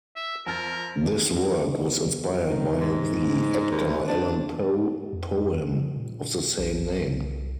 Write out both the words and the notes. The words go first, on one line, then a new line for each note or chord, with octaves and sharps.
This work was inspired by the Edgar Allan Poe poem of the same name.
E5
F2 A#4 F6 A6
D#3
G#2
D#2
D4
F2
F3
A#2
A#1
A1
C2